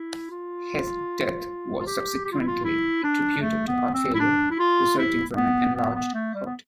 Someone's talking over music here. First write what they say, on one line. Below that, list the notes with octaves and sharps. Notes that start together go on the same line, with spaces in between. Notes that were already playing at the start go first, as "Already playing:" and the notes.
His death was subsequently attributed to heart failure resulting from an enlarged heart.
Already playing: E4
F4
F4
G4
G4
F4
E4
F4
E4
D4
A3
B3
C4
E4
D4
E4
F4
E4
B3
B3
B3
A3
G3
B3